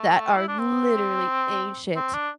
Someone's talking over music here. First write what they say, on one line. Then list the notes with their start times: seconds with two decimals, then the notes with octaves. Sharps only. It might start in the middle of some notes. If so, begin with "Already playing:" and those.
that are literally ancient.
Already playing: A3
0.37 E4
0.48 D4
0.59 C4
1.96 C4
2.14 D4